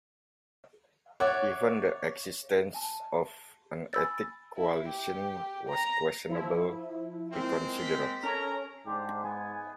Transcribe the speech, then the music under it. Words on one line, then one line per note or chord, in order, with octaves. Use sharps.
Even the existence of an ethnic coalition was questionable, he considered.
C#5 D5 E5 F#5
G#5 A5
G#5 B5 E6 A6
E4
G4
A#5
F3 E4
G#3 A#3 C4
B6
C#4 A4 A#4 A#5
G#2 D4 G4 C5
B3 G#5